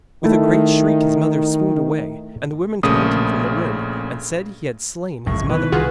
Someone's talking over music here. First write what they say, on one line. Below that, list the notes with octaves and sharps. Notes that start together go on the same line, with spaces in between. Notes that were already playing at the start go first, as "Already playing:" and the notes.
With a great shriek his mother swooned away, and the women turned him from the room and said he had slain his mother.
D#3 A3 E4
A#1 C#3 A3 A#3 D#6
G#1 C#2 F#2 A2 C#6
B2 D#3 E3 B4
C2 F4 F#4 G#4